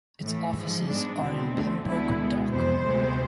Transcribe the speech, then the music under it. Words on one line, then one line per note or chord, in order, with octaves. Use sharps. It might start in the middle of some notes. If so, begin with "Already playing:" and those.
Its offices are in Pembroke Dock.
A2 E3 A3
G#2 F3 G#3
G#2 G#3 B3 D4
E2 B2 B3 C4
D2 D3 A3
D2 D3 G#3 B3 E4
B2 G#3 B3
F2 C3 E3 B3 C5
D2 C3 G#3 B3